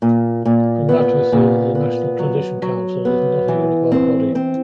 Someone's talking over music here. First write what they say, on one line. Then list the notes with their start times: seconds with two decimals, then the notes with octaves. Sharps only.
From that we see that the National Transitional Council is not a unified body.
0.02 A#2
0.45 A#2
0.89 B3
1.32 A#2
1.75 B3
2.19 F#3
2.62 F#3
3.05 B3
3.48 E3
3.92 C4
4.35 C4